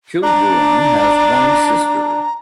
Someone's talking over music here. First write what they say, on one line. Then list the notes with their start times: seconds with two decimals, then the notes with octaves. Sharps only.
Kilbourn has one sister.
0.23 D4 A#5